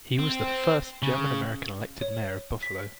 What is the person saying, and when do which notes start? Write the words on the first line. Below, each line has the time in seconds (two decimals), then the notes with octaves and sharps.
He was the first German-American elected mayor of Buffalo.
0.19 C4
1.03 C#3
2.01 C#5
2.63 B6